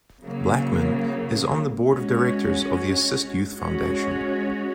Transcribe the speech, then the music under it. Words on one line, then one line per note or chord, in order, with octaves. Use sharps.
Blackman is on the Board of Directors of the Assist Youth Foundation.
C#3 F#3 A#3
G#3 C#4 F#4
G#3 C#4 F#4 C#5